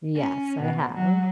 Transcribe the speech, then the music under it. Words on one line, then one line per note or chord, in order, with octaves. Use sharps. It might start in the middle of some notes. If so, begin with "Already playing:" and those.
Yes, I have.
C#4
B2
F#3